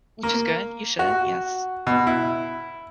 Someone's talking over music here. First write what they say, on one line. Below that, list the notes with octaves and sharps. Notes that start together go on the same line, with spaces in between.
Which is good, you should. Yes.
A#3
F#4
B2
E4